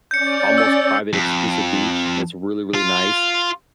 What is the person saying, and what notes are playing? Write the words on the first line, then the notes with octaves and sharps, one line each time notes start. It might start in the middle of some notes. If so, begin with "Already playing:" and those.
almost private exclusive beach that's really, really nice,
C#4 D5 G6 C#7
E6
F2
F4